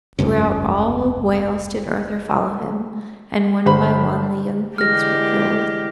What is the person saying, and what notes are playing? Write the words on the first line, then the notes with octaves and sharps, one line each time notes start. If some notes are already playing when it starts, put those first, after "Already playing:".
Throughout all Wales did Arthur follow him, and one by one the young pigs were killed.
F1 C#2 G2 C#3
G1 C5 B5
D3 E3 G#3 G4 F6 A#6